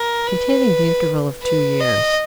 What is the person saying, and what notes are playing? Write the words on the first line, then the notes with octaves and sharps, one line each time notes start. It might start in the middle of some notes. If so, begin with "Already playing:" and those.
Containing The Interval Of Two Years.
Already playing: A#4
B4
B4
D#5